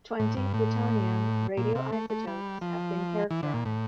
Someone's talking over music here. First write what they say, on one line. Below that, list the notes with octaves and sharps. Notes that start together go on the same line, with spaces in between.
Twenty plutonium radioisotopes have been characterized.
A2
G2
A2
A#2
C3
A3
A3
G3
F3
E3
D3
A#2
A2